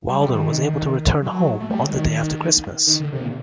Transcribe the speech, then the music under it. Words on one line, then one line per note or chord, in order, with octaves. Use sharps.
Wilder was able to return home on the day after Christmas.
G3
G3
D#3
F#3
A3
G3
F#3
D#3
D#3
D3
C3
A#2